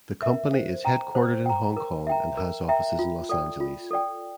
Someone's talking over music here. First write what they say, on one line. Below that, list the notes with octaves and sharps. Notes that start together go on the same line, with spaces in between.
The company is headquartered in Hong Kong and has offices in Los Angeles.
A#4 E5
C5
G5 A#5
C5
G5 A#5
A#4
E5 G5 A#5
A#4
E5 G5 A#5
F4
A4 D5 G5
F4
A4 D5 G5